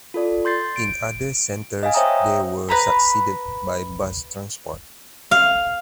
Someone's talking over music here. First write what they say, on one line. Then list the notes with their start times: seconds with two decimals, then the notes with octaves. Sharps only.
In other centres they were succeeded by bus transport.
0.14 F4 A4 D5
0.45 C6 G6 A6 C7
0.76 D7
1.83 D#5 F5 G#5
1.94 C5 C#5 E5 G5 A#5 D#6
2.69 B4 A#5 B5
5.31 F5